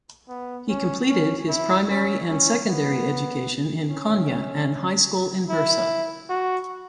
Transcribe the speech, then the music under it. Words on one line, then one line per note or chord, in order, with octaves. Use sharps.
He completed his primary and secondary education in Konya and high school in Bursa.
B3
C#4
C#4
E4
C#4
C#4
B3
C#4
E4
F#4